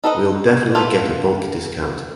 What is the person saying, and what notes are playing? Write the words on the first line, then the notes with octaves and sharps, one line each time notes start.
We’ll definitely get a bulk discount.
D#4 A4 B4 C5 D#5
B3 F4 G4 A4 B4